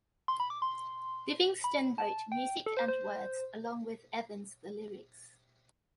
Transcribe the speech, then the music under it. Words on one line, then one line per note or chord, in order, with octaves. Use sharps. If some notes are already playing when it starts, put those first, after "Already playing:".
Livingston wrote music and words along with Evans the lyrics.
C6
B5
D6
C6
B5
A5
G5
A4
C5
C5